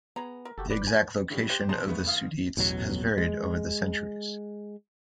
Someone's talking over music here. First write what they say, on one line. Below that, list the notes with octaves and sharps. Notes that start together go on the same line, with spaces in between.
The exact location of the Sudetes has varied over the centuries.
B3 G#4 A#5
A#4
F#1 F#4 G4 A4
B4 D5
G#5
A2 C#3 G3
G4 C5 F#6
E2 A#2 G#4 A5 A#5 C6
C#3 G#3 A3 B3
B1 F5 D#6
A1 E2 B2 F#3
G#3